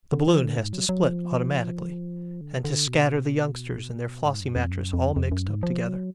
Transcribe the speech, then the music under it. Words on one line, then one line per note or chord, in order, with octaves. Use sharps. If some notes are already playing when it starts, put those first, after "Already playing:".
The balloon has to split automatically and to scatter the youngsters and their flossy mattress all mixed up together.
D3
F3
D3
G#2
F#3
F#3
F3
D3
D3
B2
G#2
F#2
F2
F#2
F2
F2
F#2
G#2
F3
F#3